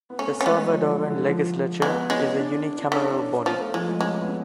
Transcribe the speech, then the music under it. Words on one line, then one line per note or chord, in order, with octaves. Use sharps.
The Salvadoran legislature is a unicameral body.
B3
A3 C#4
C#4
G#3 B3
F#3
F3
D3
D3
F3
G#3 B3
G#3 C#4
D4
D4
D4
D3 C#4
D4
C#4
F3 B3
A3
F3 G#3
G#3
G#3 C#4
B3
C#4